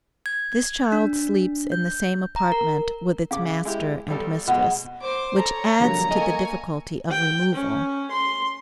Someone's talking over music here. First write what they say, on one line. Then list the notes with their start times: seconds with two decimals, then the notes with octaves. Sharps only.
This child sleeps in the same apartment with its master and mistress, which adds to the difficulty of removal.
0.26 G#6
0.52 G#6
0.92 D4
1.72 G6
2.36 A#5
2.52 A#4
3.31 C#3 F5 D6
3.65 G#3 E4 G4
4.08 B1 G3 A4
4.47 B2 G#3 F4 F#5
5.02 C5 D6
5.38 A4 C#5 A#5
5.80 F2 D3 F#3 G3 A#3
6.11 A#3 A4 D#5 G#5 C#6
7.10 G5
7.55 C#4
8.11 C6